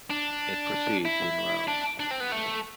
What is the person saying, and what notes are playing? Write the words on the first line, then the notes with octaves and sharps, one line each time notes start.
It proceeds in rounds.
D4
E4
D4
D4
C4
B3
A3